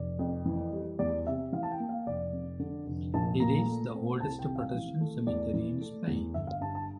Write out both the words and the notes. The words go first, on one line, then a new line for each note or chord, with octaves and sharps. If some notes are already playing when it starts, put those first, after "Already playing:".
It is the oldest Protestant cemetery in Spain.
Already playing: F1 D5
F2
E3
G3
E2 D5
C3 E5
E3 F5
A5
G5
A#3
F5
F1 D5
F2
D3
F1
A#1 A5
A#2 A#5
A3
C4
C2 A5
G5
C3
F5
E3
A3
E2 D5
E3
A3
E2
G1 E5
F5
G2 A5
A5